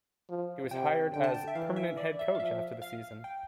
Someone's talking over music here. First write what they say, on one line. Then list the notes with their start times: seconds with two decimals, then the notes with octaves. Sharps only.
He was hired as permanent head coach after the season.
0.30 F3
0.71 C3 G5
1.13 D3 G5
1.24 A5
1.34 G5
1.48 E5
1.55 E3 F5
1.76 E5
1.97 D5
2.19 E5
2.35 F5
2.40 F3 E5
2.82 F5
3.24 G5